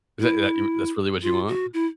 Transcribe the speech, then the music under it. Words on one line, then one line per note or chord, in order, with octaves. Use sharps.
Is that that that's really what you want?
E4
F4
F#4
E4